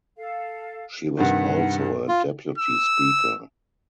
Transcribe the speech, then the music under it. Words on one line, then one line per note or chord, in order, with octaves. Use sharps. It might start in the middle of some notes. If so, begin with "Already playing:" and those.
She was also a Deputy Speaker.
A4 F5
G2 C3 D#3 B4 F#5
F4
E6